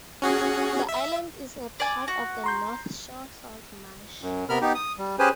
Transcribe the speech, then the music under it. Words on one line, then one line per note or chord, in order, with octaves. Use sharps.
The island is a part of the North Shore Salt Marsh.
C#4 F#4 G#4
E5
D5 G#5
F#4
A#5 C6 G6
F#2
C3 B3 A#4 B5 F6
B3 D#4 G4
D#6
G3
C#4 G4 G#4 B4 C5 G#5